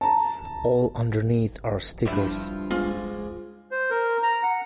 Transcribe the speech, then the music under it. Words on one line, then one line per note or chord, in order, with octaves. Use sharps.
All underneath are stickers.
A5 A#5
G2 F3 E4 D5
F4
C#2 G#2 G#3 F4
C5
A#4
A#5
F#5